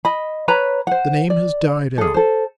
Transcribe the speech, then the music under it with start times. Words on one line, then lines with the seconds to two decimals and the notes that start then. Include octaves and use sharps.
The name has died out.
0.05 D#5 B5
0.48 B4 C#5 A#5 B5
0.87 C5 F#5
1.30 D5
1.98 G#4 A4
2.14 A4 C5